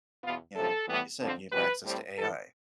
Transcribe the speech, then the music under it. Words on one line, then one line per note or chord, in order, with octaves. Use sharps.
you know, like you said, you have access to AI.
E2 B2 B3 F4
D2 C3 F3 A4
A2 E3 G3 B3
F2 D3 F3 C4
E2 B2 G3 B4
A2 G3 C4
G2 E3 G3 A4